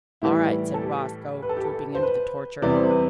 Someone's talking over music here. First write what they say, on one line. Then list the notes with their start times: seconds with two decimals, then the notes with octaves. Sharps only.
"All right," said Roscoe, drooping under the torture.
0.22 A2 E3 G3 E4
0.74 A4
0.82 G4
1.42 B4
1.49 A4
1.57 G4
1.64 A4
1.95 C5
2.02 B4
2.62 E2 C3 E3 G3 D5
2.76 C5
2.90 B4